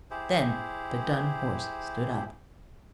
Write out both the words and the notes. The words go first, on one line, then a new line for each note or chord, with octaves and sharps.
Then the dun horse stood up.
E4 G4 G#4 C5